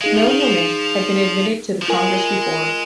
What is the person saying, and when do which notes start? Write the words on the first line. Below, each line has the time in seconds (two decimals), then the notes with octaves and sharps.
No woman had been admitted to the congress before.
0.01 G#3 D#4 G#4 F5
0.14 F3
0.27 D#3
0.40 F3
1.82 F3
1.88 G#3 F4 A#4 G#5